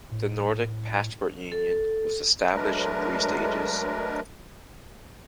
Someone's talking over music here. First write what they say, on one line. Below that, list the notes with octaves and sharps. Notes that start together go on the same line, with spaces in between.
The Nordic Passport Union was established in three stages.
A2
A4
F#3 G#3 A3 D4 A#4 B4